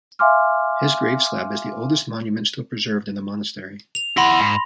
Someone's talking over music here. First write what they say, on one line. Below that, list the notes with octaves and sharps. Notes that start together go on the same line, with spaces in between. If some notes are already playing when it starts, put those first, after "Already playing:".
His grave slab is the oldest monument still preserved in the monastery.
E5 F5 G#5 C6 D6 F6
F7
E4 F#5 B5 C6 A#6
G#2